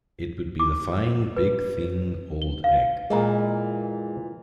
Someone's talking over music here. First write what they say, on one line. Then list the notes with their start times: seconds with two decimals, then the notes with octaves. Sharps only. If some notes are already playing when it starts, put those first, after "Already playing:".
It would be the fine, big thing, old egg.
0.60 D6
1.36 B4
2.42 G7
2.64 F5
3.10 F2 A#2 E3 G#3 A#4